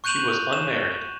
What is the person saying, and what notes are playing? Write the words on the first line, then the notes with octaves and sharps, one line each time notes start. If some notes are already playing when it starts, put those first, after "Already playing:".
She was unmarried.
C#6 F#6 G6 D#7 F7 F#7
E7